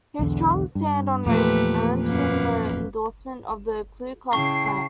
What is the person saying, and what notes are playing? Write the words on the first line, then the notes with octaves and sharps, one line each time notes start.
His strong stand on race earned him the endorsement of the Ku Klux Klan.
B1 E2 D3
G2
E2 A#2 F3 A3 G4 B4
F#2 A#3 B4
C#3 E4 G5 A5 C#6 C7